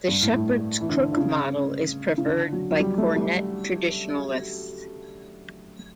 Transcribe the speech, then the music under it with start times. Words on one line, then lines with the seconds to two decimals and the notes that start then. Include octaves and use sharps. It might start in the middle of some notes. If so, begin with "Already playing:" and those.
The Shepherd's Crook model is preferred by cornet traditionalists.
0.08 G2
0.22 A2
0.35 A2
0.81 E3
0.89 D3
1.12 D3
1.17 C#3
2.18 C#3
2.26 D3
2.53 F#3
2.71 F#3
2.80 G3
2.98 A3
3.16 G3